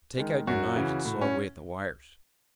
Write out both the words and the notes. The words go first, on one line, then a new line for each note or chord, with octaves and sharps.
Take out your knives and saw away at the wires.
D#3 G#3
F#2 F#4
C#3 E3
A2
C#4